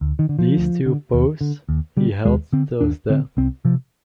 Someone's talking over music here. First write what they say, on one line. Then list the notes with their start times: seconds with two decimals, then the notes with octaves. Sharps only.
These two posts he held till his death.
0.01 D2
0.19 D#3
0.29 D3
0.39 F3
0.57 D2
0.86 D3
1.13 D#2
1.41 D3
1.69 D#2
1.97 D3 G3
2.25 D#2 G#3
2.52 D3 C4
2.81 D#2 D4
3.10 D3 C4
3.37 C2 C4
3.65 C3 F3